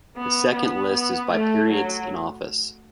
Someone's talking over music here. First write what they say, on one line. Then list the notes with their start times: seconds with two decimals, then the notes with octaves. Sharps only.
The second list is by periods in office.
0.17 B3
0.55 B3
0.93 B3
1.32 A3
1.69 F#3